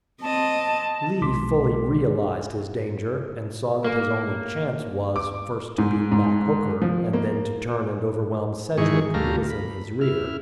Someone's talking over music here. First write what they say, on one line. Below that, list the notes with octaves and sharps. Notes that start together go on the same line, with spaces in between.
Lee fully realized his danger, and saw that his only chance was, first to beat back Hooker, and then to turn and overwhelm Sedgwick, who was in his rear.
C4 D#5 A5
B1 B2 G#3 C6 D6 B6
A#3
D6
G#2
G#2
F3
A#3
G#2 D#3 E3 G#4 C#6
D2 G3 A3 F5 A#5
B5
E4 F6